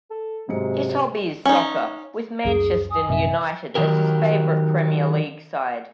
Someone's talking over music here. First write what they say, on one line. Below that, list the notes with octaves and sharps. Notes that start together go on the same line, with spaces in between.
His hobby is soccer, with Manchester United as his favourite Premier league side.
A4
G#2 C3 F#3 G#3 C#7
C#4 D#4
C#2 F#2 G#4
G#5 D#6
A#1 F#2 C3 E5
D#3 F#3 G4 A#4